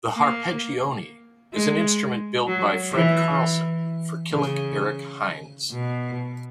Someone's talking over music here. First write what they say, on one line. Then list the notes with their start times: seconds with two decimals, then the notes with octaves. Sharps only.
The H'arpeggione is an instrument built by Fred Carlson for Killick Erik Hinds.
0.14 A#3
1.53 G#3
2.47 F#3
2.92 E3
4.32 C#3
5.71 B2